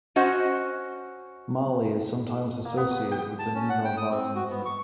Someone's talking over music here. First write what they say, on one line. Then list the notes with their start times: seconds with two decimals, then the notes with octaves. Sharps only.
Malle is sometimes associated with the "nouvelle vague" movement.
0.16 C#4 F#4 C5 D#5 F#5
2.65 A#3
2.77 B3
2.91 D#6
3.12 G5
3.39 A5
3.55 C#4
3.69 F#5
3.85 G5
3.97 D#6
4.10 C4
4.35 F#4
4.49 B3
4.65 C#6